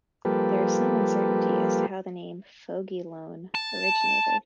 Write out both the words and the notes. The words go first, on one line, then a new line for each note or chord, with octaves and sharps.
There is some uncertainty as to how the name Foggieloan originated.
F3 G3 A#3 G4 A4 B4
A5